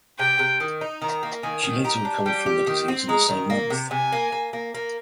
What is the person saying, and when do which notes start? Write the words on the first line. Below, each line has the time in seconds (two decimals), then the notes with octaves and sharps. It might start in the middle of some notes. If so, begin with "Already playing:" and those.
She later recovered from the disease in the same month.
0.19 C3 G5
0.39 C3
0.60 D#3
0.81 D#4
1.02 D#3 A#5
1.23 A#3
1.43 D#3 G#5
1.63 D#3
1.84 G4 A#5
2.05 D4
2.26 G3 G5
2.46 G4
2.67 D#3
2.88 C4
3.08 G#3 A#5
3.29 D#3
3.50 A#3
3.70 C3
3.91 C3 G#5
4.12 A#3
4.32 A#3
4.53 A#3
4.74 A#3